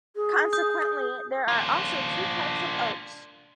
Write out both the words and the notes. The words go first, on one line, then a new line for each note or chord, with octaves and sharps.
Consequently, there are also two types of oaths.
G#4
D#6 G6
D4 F4